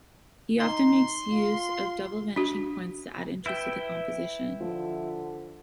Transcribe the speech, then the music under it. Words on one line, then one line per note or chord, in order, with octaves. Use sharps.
He often makes use of double vanishing points to add interest to the composition.
D#4 C6
F4
D4 F#4
E4 B4 E5 G5
D3 F3